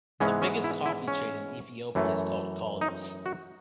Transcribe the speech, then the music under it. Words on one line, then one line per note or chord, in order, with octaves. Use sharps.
The biggest coffee chain in Ethiopia is called Kaldi's.
G#2 E3 G#3 B3 C#4
C#4
E4
E4
C#4
F#2 E3 A3
D#4
F#4